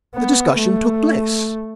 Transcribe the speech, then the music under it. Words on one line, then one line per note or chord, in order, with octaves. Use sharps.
The discussion took place.
B3
A3